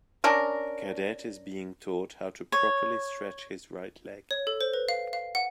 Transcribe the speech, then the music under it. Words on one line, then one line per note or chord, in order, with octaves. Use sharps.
A cadet is being taught how to properly stretch his right leg.
C#4 D4 A#4
C#5
C#5
A4
C5
B4
F5
F5
F#5